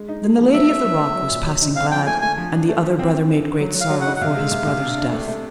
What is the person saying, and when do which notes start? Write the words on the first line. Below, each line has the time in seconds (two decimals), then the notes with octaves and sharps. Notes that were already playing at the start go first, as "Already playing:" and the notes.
Then the Lady of the Rock was passing glad, and the other brother made great sorrow for his brother's death.
Already playing: G#3
0.09 D#4
0.24 G#3
0.39 F3
0.53 F#3 E5
0.69 A3
0.85 F#3
0.99 A3
1.15 F#3
1.31 A#2
1.46 F#3
1.61 D#4
1.76 C4 F5
1.91 F3 G5
2.06 A3 G#5
2.22 A3 G#5
2.37 F3
2.52 D4
2.68 A3
2.83 F3
2.99 C4
3.13 D3
3.29 D3
3.45 D3
3.60 F#3
3.75 F#3
3.81 F5
3.90 F#3
4.01 F#5
4.06 D#4
4.16 F#5
4.21 C3 F5
4.36 G#3
4.52 C3
4.67 C3
4.82 D4
4.98 D4
5.12 A3
5.28 A3